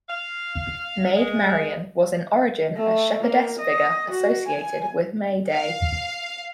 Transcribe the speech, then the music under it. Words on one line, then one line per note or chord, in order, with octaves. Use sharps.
Maid Marian was in origin a "shepherdess" figure associated with May Day.
F5
G#3
A3
A#3
D#5
F#4
G#5
F5